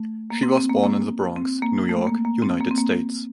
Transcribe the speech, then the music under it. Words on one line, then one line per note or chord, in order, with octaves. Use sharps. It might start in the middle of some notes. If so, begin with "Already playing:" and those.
She was born in the Bronx, New York, United States.
Already playing: A3
A#3
C4
C4
A#3
A#3
C4
A#3
A3
A#3
A#3
C4
A#3
C4
A#3